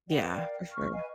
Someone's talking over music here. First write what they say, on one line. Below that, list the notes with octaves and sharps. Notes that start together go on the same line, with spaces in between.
Yeah. For sure.
B4 D5 F#5 G5
A#4 D5 F5 G5
C#6 F6
B4 D#5 F5 G#5